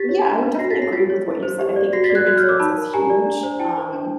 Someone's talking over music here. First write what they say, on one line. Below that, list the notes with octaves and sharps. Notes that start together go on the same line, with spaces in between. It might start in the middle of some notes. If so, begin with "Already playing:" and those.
Yeah, I would definitely agree with what you said. I think peer influence is huge, um,
Already playing: G4 A6 B6
C#5
D4
B4
F#4 A#6 C7
A6 B6
C#5
A#6 C7
F4 A6 B6
C#5
E4
C5
G4
D5
F#4 A#6 C7
A6 B6
D5
F#6 G#6
F#4 F#6 G#6
F6 G6
C#5
D6 E6
D#4 A5 B5
A#4
G4 G#5 A#5
D5
D4
C5
E4 G5 A5
C5
D4